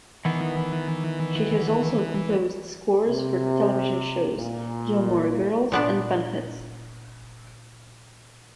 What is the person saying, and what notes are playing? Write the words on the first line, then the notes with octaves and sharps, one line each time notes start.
She has also composed scores for the television shows "Gilmore Girls" and "Bunheads".
D#3 E3 B3
C3
A#2
A#2 B3 D4